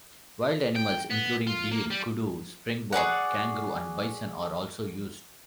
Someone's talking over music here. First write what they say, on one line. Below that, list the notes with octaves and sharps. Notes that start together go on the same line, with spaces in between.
Wild animals including deer, kudu, springbok, kangaroo, and bison are also used.
G5
B3
F4
A#3
G3
F#4 G#4 D5 F#5